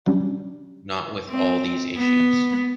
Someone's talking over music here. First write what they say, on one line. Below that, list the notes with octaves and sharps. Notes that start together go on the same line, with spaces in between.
Not with all these issues.
F#3 G3 C#4 D4
C4
B3